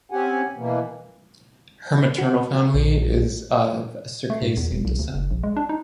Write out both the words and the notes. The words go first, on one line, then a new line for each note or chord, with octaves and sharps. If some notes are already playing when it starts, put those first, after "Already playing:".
Her maternal family is of Circassian descent.
C4 C#4 G4 F#5 G#5
B2 E3 A#3
F#4
A#1
A3
G#2
E2
E1
B1
D2
F#1
A#1
G#3
D4
D#4